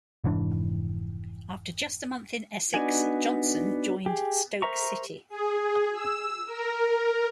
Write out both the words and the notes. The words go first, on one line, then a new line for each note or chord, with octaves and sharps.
After just a month in Essex, Johnson joined Stoke City.
F1 G#2 E3 D4
B3 D4 D#4 F#4 G#5
G4 G#4
A#4 C5 E5 A#5 C#6
G#4
E6
A#4